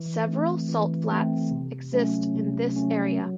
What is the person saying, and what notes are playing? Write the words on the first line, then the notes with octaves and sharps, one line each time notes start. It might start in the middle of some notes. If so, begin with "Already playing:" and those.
Several salt flats exist in this area.
Already playing: E3
A3 C4
E3
A3 C4
C3
F#3 A3 C#4
C3
F#3 A3 C#4
F#3